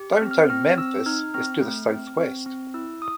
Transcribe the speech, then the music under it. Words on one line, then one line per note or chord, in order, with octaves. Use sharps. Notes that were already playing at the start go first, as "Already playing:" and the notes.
Downtown Memphis is to the southwest.
Already playing: G4
F6
C4
F6
C4 F6
C4 E6
D#4 F6
C4 F6
A3
C4
C4
C4
E4 E6
D#6